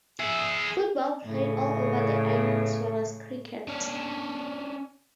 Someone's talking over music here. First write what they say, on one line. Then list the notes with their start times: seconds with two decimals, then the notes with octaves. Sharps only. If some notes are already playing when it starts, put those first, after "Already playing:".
Football played all over the island as well as cricket.
0.20 G#4 E5
1.24 A2 C#3
3.68 C#4 D4